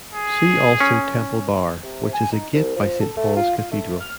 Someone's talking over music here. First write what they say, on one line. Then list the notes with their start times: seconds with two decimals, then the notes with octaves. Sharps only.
See also Temple Bar which is a gate by Saint Paul's Cathedral.
0.14 G#4
0.80 C#4
1.83 C3
2.13 G#5
2.33 D#4
2.53 C2
2.76 F3
3.00 A4
3.17 A3
3.36 F4
3.57 F4
3.72 A3
4.00 F6